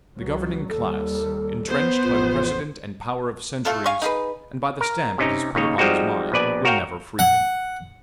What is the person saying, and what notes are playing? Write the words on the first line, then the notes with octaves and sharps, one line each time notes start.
The governing class, entrenched by the precedent and power of centuries and by the stamp it has put upon his mind, will never free him.
C#2 F#3
D#2 G3 A4
B3 C5
A1 F2 F4
A3 F4 A4
F5 G#5 C#6
D#4 G#4 B4
A#4
C3 C#4 D#4
D#2 C#3 D#4 C#5
F3 G3 G#3 C4 D#4 F#4
A#1 B2 B4 D5 G#5
F#4 A#4 C#5 F5 G5
F#5